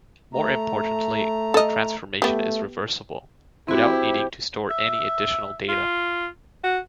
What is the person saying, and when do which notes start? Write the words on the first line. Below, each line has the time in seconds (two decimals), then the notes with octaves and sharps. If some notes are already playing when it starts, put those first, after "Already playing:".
More importantly, the transformation is reversible, without needing to store any additional data.
0.34 A3 A#5
1.54 A4 D#5
2.22 A3 B3 G4
3.68 F3 C4 E4 F#4 G4
4.70 E5
5.69 F4
6.64 F#4